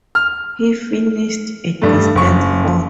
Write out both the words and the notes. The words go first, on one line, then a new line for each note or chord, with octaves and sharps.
He finished a distant fourth.
F6
G2 A3
F#1 C#6